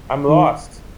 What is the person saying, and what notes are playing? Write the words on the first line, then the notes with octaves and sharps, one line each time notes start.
I am lost!
D#3